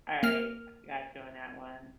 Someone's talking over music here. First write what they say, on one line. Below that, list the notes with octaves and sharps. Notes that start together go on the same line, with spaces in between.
Alright, I got you on that one.
A#3 F6